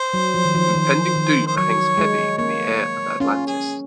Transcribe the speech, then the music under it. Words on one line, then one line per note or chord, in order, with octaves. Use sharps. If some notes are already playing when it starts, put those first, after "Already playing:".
Impending doom hangs heavy in the air of Atlantis.
Already playing: C5
F#3
F3
D#3
F3
D#3
D#3
C5
F#3 C#5
G#3
A#3 C#5
C#4 F4
G#4